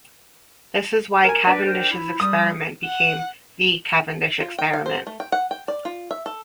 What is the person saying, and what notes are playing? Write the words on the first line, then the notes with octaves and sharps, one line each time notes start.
This is why Cavendish's experiment became "the" Cavendish experiment.
A#4 G#5
D4 B4 D5
A#4 C5 G5
E4
G3 D#6
F#5
F4
G5
F5
C5
A3
G5
F#5
G5
D5
F4
E5
A4